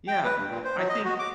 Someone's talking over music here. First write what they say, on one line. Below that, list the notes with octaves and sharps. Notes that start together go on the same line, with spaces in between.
Yeah. I think
G5
B4
G2
A#2
C5
F#3
D#5
F#4
D6